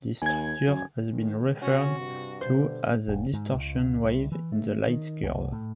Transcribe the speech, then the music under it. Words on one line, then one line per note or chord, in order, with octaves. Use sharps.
This structure has been referred to as a distortion wave in the light curve.
D#2 G#5 G#6
F#2
D#3 G#3
C3 C#4 F#4
G2
B2 D3 C5
E1
G#2
C#2
C2
E3
A3
D#3
C2
A2